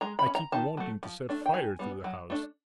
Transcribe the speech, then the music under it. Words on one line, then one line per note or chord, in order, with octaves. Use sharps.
I keep wanting to set fire to the house.
G#3 A#5
B5
C#4
A#5
D#3 A5
F#3 A3
F3
A3 D4
G5
D#3 G#5
G3 B3
F#3
A3 D4